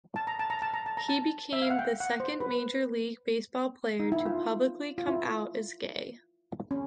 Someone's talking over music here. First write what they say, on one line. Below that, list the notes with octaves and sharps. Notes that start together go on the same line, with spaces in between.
He became the second Major League Baseball player to publicly come out as gay.
A5
A#5
A5
A#5
A5
A#5
A5
A#5
A5
E5
F5
F#5
G5
F#5
C5
B4
D#4
E4
F4
F4
E4
C#4